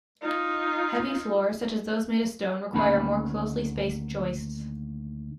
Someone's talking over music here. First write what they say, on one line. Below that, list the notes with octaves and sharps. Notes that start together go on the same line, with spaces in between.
Heavy floors, such as those made of stone, require more closely spaced joists.
D#4 F4
D2 D#3 A#3 C#4 A5 B5